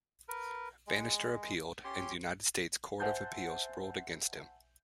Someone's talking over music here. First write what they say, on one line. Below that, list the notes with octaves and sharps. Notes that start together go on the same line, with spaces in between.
Banister appealed, and the United States Court of Appeals ruled against him.
A#4 B4
G#3
C#4 G4 C6
C5 E5 F#5 G#5 A5 G6